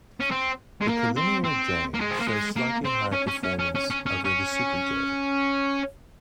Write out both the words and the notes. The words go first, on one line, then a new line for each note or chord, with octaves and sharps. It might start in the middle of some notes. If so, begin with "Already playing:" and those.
The Collinear J shows slightly higher performance over the Super-J.
C#4
C4
G#3
A#3
C4
C4
A#3
G#3
C4
A#3
G#3
A#3
C4
C#4
C#4
C#4
C#4
C#4
C#4
C#4
C#4